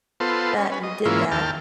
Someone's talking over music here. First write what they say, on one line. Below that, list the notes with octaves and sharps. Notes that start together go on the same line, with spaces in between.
that you did that,
B3 F4 A4 C5
C#4
C#4 B4
D#5
G#2 E3 A#3 C#4 E4 F4
D#2 G5 A5 F6